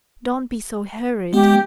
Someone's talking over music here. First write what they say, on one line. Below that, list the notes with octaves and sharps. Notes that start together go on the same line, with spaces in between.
Don't be so hurried!
G#3 B3 G4